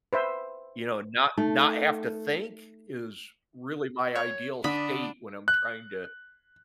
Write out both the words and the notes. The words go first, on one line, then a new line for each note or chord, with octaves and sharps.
You know, not not have to think is really my ideal state when I'm trying to,
B4 C5 E5
A3 D#4
C#5
D3 D4 D5 B5 D#6
F#6